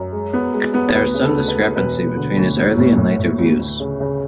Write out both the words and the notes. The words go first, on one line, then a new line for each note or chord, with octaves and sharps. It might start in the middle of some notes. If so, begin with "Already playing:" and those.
There is some discrepancy between his early and later views.
Already playing: F#2
G#3
B3
G#3
B3
D2 B4
C#3
A4
D2
B4
D2
E1 B4
E1
D3
D2
F#3
A2
A2
A2
D2
D2
C#3
C#3